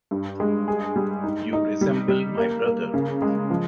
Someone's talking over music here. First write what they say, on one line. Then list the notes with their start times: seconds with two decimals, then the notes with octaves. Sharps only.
You resemble my brother.
0.11 G2
0.40 G#3
0.68 G#4
0.96 G3
1.24 D#4
1.53 D#4
1.81 G3
2.08 G3
2.37 A#3
2.66 A#3
2.94 C#3
3.22 G#3
3.50 F3